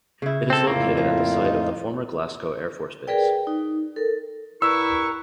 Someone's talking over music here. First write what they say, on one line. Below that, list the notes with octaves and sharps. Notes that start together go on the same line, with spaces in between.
It is located at the site of the former Glasgow Air Force Base.
C#3 E4
C4 A4
F2 A2 A#3 F4
F3
D#4
G#4 A#4 B4 D5 G5
D#4
A4 A#4
G2 E4 A#4 A#5 C#6 E6 F#6